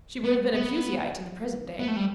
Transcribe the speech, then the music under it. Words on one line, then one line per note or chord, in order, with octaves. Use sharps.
She would have been a Puseyite in the present day.
B3
B3
B3
A3
G3